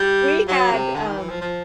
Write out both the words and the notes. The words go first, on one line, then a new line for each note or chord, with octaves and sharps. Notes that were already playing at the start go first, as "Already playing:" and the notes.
We had, um
Already playing: G3
F#3
C3
D3
D#3
E3
F3
F3